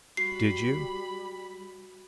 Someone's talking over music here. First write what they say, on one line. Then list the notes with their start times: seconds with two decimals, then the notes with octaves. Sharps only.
"Did you?"
0.17 G3 F#4 B5 C7